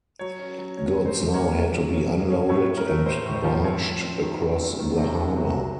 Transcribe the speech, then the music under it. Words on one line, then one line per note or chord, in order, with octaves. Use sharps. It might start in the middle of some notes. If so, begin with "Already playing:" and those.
Goods now had to be unloaded and barged across the harbor.
F#3 C#5
C#4
F#3
C#4 C#5
F#3
C5
C#3
D#5
A#3 C#5
A#3
F#3
C#4
C#4
C#4
A2 C#5
A2
A#4
A3
A2 C5
A2
C5
F3
C4 C#5
A3
C4
D#3
F#3
C4
D#3
C3
C3
F#3
F#3